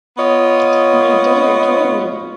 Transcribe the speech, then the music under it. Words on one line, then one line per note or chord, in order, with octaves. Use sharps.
My data told me.
B3 F4 C#5 D#5